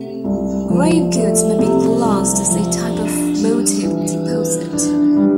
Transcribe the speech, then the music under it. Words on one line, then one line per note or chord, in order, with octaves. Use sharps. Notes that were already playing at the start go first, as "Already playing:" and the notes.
Grave goods may be classed as a type of votive deposit.
Already playing: C3 A3
C2
F3
A3
C3
C2
F3
D4
G3
E3
B3
D4
G3